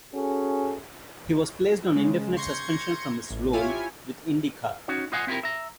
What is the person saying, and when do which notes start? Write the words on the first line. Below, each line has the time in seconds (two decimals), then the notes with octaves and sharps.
He was placed on indefinite suspension from his role with IndyCar.
0.13 C#4 F#4 G#4 A4
1.92 C#3 G#3
2.37 C6 C#6 G6 G#6 A#6 C#7
3.31 A1
3.53 E4 F4 G4 C#5 G#5
4.88 C#4 D#4 F#4 C#5
5.12 F4 C5 D#5 F5 F#5 G#5
5.27 C4 E4 F4 G4 A#4
5.43 E5 A#5